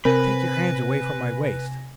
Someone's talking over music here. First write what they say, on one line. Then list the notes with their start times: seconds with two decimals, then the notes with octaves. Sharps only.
"Take your hands away from my waist."
0.05 C3 C4 A#4 B4 G#5 B5 A#6